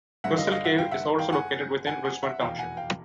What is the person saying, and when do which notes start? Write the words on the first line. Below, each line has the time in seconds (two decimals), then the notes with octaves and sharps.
Crystal Cave is also located within Richmond Township.
0.24 G1 G2 D3 F#3 E5 F#5
0.37 D#5 F5
0.51 D#5 F5
0.65 E5 F#5
0.78 F5 G5
0.91 E5 F#5
1.19 F5 G5
1.32 F#5 G#5
1.87 F#5 G#5
2.04 F#5 G#5
2.23 E5 F#5
2.40 F1 E2 B2 F5 G5
2.59 F#5 G#5
2.77 F5 G5